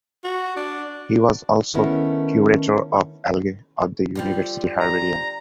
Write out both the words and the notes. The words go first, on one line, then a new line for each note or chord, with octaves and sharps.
He was also Curator of Algae of the University Herbarium.
F#4
D4
D#3 A3 B3 C#4 E4 A#4
D3 F3 G3
A#5